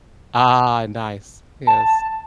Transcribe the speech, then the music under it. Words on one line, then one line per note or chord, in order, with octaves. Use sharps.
Ah, nice. Yes.
A5